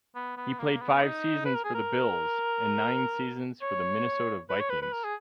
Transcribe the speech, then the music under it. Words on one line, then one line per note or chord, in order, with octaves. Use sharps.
He played five seasons for the Bills and nine seasons for the Minnesota Vikings.
B3
B3
A#3
B3
D#4
B4
A#4
G#4
A#4
C#5
B4
C#5
B4
B4
A#4
G#4